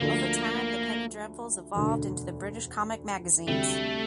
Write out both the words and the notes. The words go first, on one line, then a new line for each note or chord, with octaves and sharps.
Over time, the penny dreadfuls evolved into the British comic magazines.
D2 D3 F3 A3 A#3 D4
E1 D2 D3
D2 C3 G3 A3